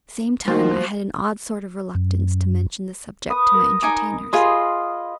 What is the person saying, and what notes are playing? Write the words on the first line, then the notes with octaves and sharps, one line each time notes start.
At the same time I had an odd sort of reluctance to mention the subject to my entertainers.
D#3 F3 G3 A3 A#3 F#4 C5
F#2
B4 D#6
A#4
D#4 G#5 D6
F4 G#4 D#5 B5 C6